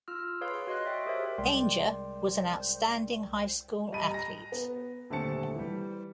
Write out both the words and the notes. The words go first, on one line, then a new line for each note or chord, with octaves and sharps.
Ainge was an outstanding high school athlete.
F4 E6 F6
G#4 B4 C#5 F5 C6
F#4 C#5 D#5 C6 F#6
D5 E5 G5
G4 G#4 A#4 C5 C#5 E5
C2 G#3 A#4 D5 G5 C6
G3 D#5 A5 B5 D#7
A#5 A#6
B3
D#1 D3 A3 C4 A5 C#7
E3 G3